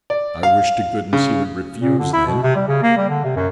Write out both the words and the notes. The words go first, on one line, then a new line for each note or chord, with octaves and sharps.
"I wish to goodness he would refuse, then!"
D5
F5
C#3
A#2
D3
E4
B2
C3
G3
C#3
A#3
G3
D3
C3
F#2